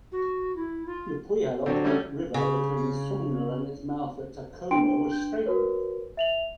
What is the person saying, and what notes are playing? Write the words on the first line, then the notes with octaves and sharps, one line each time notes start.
The Puyallup River between Sumner and its mouth at Tacoma was straightened.
F#4
E4
F4
D3 F#3 C4
G3 A3 C#4
C#3
D4 F4 B4 G5 C6 D7
F#4 A#4 B4 C#5
E5 F7 F#7